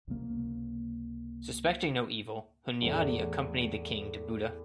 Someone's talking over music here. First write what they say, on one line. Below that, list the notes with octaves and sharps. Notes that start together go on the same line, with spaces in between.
Suspecting no evil, Hunyadi accompanied the king to Buda.
C#2 C3 G3 A#3
E2 A2